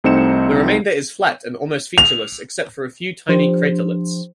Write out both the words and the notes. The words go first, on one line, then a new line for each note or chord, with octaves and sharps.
The remainder is flat and almost featureless except for a few tiny craterlets.
C2 A3 C4 D#4 C#7 E7
F7
F3 D4 G4 C5